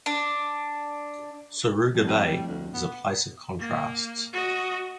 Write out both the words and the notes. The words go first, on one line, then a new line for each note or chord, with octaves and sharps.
Suruga Bay is a place of contrasts.
D4
F2 A2
G3
D2
B3
A#3
F#4 D#5